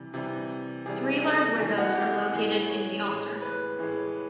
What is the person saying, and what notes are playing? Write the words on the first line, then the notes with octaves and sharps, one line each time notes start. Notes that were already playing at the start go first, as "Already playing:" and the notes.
Three large windows are located in the altar.
Already playing: C3 E3 G3
C3 E3 G3
C3 E3 G3 G#4
A4
C3 E3 G3 G#4
F#4
G4
G#4
A2 E3 G#3 G#4
C#5
A2 E3 G#3
B4
A2 E3 G#3